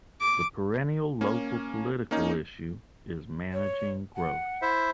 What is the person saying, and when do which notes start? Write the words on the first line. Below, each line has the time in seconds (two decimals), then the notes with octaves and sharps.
The perennial local political issue is managing growth.
0.21 D6
1.21 A#3 C#4
2.11 A#3 C#4 D#4
3.53 C#5
4.16 F#5
4.62 E4 C5 E5